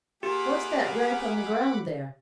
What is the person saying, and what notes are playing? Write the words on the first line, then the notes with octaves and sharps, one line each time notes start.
What's that wreck on the ground there?'
A#3 F4 G4 G#4 F#5 B5 D6